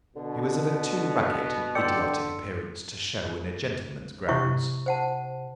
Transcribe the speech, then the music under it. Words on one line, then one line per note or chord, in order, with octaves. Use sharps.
He was of a too ragged and idiotic appearance to show in a gentleman's grounds.
B2 D3
D3 D5 G5 C6 E6 C#7
C3 E4 C#6
C5 F#5 A5